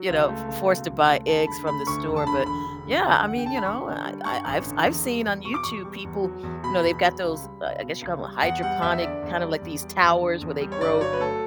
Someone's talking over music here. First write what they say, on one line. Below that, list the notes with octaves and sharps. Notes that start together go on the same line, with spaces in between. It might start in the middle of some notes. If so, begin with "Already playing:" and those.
you know, f forced to buy eggs from the store, but yeah, I mean, you know, I I I've s I've seen on YouTube people, you know, they've got those, uh, I guess you call them hydroponic, kind of like these towers where they grow,
Already playing: F#3
C#2
A3
C#2
B2
C#2
A3
E1 A5
D3 B5
A3 B5
D2 C#6
E1
A5
D3 B5
E1 B5
D3
E1
D2
E1 F#5
G5
D3 A5
B5
A1 C#6
D3
G3
G2 C#6
A1
D3
E2
G3
E2
B2 C#6
D6
E2 C#6
G3
E2
F#3
E2
B2 B5
E2
F#3
C#2
G3
C#2
B2
C#2
G3
E2 F#5
G3 F#5
E2 E5
D3 D5
E2
G3
E2
G3
E2
D3
E2
G3
C#5
G1 D5
F#3 C#5
B4
A3 A4